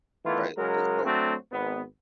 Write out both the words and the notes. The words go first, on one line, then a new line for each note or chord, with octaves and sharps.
right? And so
D#3 E3 A3 B3 F4
C#3 F#3 G#3 A#4
F#3 A3 C4 D4 F#4
G#1 B3